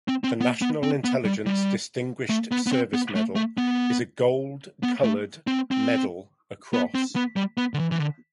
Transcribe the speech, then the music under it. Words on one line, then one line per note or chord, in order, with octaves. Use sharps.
The National Intelligence Distinguished Service Medal is a gold colored medal across.
C4
C4
B3
B3
C4
B3
G3
G3
A3
B3
B3
C4
B3
A3
A3
B3
B3
A3
C4
C4
B3
C4
B3
G3
B3
D3
E3
E3
D3